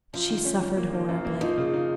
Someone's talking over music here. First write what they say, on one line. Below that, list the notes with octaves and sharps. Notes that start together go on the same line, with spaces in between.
She suffered horribly.
F#2 F3
D#3
C#4
C#4
A#3
D#3
F#2
A#3
F3 D#4
C#3
D#4